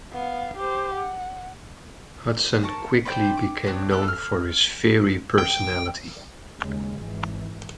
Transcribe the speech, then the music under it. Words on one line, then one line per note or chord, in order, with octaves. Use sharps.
Hudson quickly became known for his fiery personality.
B3 F5
G4 C5
F#5
A#4 A5 C#6
B4 C5 D5 G5
D6
B3 C4 D4 C#5
B3 D4 A4 F#6
F6
G5
D#2 C#3 G#3
G#1 E3